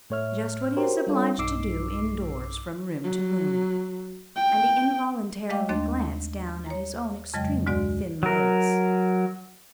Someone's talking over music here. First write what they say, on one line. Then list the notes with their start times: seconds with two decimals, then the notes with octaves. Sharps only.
"Just what he is obliged to do indoors from room to room." And he involuntarily glanced down at his own extremely thin legs.
0.10 A2 A3 C#5 E5 F6
0.77 F#4 G4 A#4 C5 C#5
1.07 G3 D4 F4 A4 C#5
1.38 B1 G2 D#4 D6 E6 C7
3.04 F#3
4.36 G5
5.50 G#3 A3 D#5 F5 G5 D6
5.69 D#2 A3 D4 D#5 C6 A6
6.66 C#5 A#5
7.34 F2 C#3 F#3 G#3 D#5 G5
7.67 D2 G#2 G#3 F#4 D5
8.23 F#3 A#4